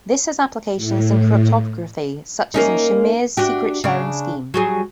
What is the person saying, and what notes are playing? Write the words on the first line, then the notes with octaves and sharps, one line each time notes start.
This has applications in cryptography, such as in Shamir's Secret Sharing scheme.
A2
A#3 C#4 D#4
D4 F#4 G4
C#3 D4
F#3 G3 G#4